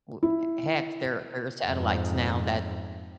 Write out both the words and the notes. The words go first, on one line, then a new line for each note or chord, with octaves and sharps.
W heck, there there are satellites now that
E4
F2 G#2